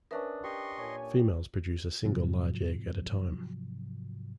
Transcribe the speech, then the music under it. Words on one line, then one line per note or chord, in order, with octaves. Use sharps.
Females produce a single large egg at a time.
C#4 D4 A#4 B4 E5 D#6
G4 D#5 C6 C#6
A#2 C#5 G#5
G#2 C3 F3 F#3